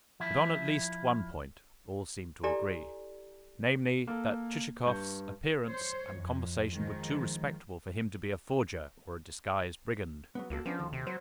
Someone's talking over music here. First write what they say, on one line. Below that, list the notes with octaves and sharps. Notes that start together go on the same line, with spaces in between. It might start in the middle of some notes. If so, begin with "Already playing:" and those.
But on at least one point all seemed to agree--namely, that Chichikov's appearance and conversation were too respectable for him to be a forger or a disguised brigand.
F3 E4
E4 G4 A4 D5 G#5 A#5
A#3 A4
G2 C#6 G6
C5 C#5
F2
D#3 F3 G#3
F#3 B3
C#2 A#3 F#4 A4
F3 B3 C#4 D4
D2 D#3 A4
C3
F#3 C5